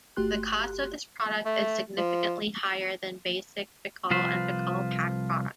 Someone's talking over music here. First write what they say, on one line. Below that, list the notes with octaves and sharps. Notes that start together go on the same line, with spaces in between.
The cost of this product is significantly higher than basic Ficoll and Ficoll-Paque products.
G1 A3 F#4 G4 C6 F#6
A3
F3
C2 F3 F4 B4 C5